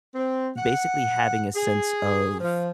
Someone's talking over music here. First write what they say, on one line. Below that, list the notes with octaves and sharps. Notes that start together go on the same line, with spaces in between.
basically, having a sense of
C4
F#5
G#4
F3